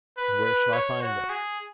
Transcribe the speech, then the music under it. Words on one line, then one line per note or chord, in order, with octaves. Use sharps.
"And where shall I find them?"
B4
B4
C#5
F#4
G#4